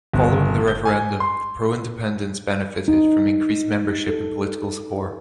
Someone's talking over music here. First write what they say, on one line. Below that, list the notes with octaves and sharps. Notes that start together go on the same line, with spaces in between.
Following the referendum, the pro-independence benefitted from increased membership and political support.
G1
G6
G#5
C6
D#4
A4